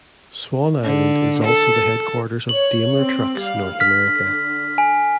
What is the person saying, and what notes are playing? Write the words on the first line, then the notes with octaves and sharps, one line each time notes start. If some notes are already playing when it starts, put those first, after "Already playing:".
Swan Island is also the headquarters of Daimler Trucks North America.
D3
A4
C#5 F#7
C4
G3 F5
D3 F6 B6
G#5